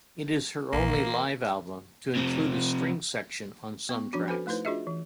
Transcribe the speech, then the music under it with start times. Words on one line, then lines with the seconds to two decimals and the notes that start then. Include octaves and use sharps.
It is her only live album to include a string section on some tracks.
0.73 A#1 A#2 A#3
0.94 E3
2.16 C3 F3
3.89 B3 C#6
4.13 F3 C#4 D4 F#4
4.27 F#4 A4 B4 C5 G#5 B5
4.47 A3 D#4 E4 B4 C5
4.65 D4 F4 F#4 G#4 D#5 E5
4.87 E3